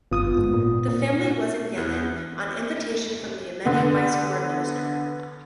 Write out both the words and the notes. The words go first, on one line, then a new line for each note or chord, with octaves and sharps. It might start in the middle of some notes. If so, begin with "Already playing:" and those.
The family was in Yemen on invitation from the Yemeni vice foreign-minister.
G1 B3 F4 D#6
G#2
A#2
A#2
E2
D3 B3